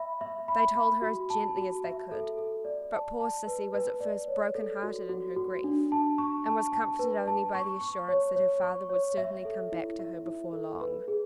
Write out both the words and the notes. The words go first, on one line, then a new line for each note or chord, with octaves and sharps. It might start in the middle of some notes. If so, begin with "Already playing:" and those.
They told her as gently as they could, but poor Sissy was at first broken-hearted in her grief and was comforted only by the assurance that her father would certainly come back to her before long.
Already playing: E5 B5
E5
B5
B5
F#4
A5
F#4
E5
A4
A4
D5
A5
A5
B4
B4
D5
C#5
A4
F#4
F#4
F#4
D4
A5
C#6
A5
A5
B4
A5
C#6
C#6
C#5
C#5
C#6
C#5
E5
A4
E4
E5
E4
A4
B4
G#4